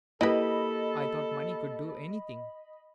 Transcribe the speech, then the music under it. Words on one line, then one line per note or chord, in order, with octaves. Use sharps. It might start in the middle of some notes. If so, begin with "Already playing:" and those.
I thought money could do anything.
A#3 E4 G4 A4 B4 D#5 B5